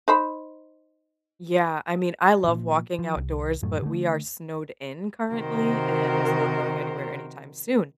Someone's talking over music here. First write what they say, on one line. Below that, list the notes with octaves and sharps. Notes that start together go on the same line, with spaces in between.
Yeah, I mean, I love walking outdoors, but we are snowed in, currently, and it's not going anywhere anytime soon.
D#4 C5 B5
A#2 F3
F3
C2
F#2 A2 F#3 A3
D3 A3
C3 D#3 F#4 A#4 C5